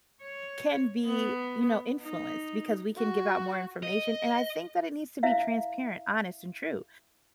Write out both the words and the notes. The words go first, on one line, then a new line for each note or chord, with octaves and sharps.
can be, you know, influenced because we can give out more information, and I think that it needs to be transparent, honest, and true.
C#5
B3
D#4
F#4
D#5
E4 E5 F5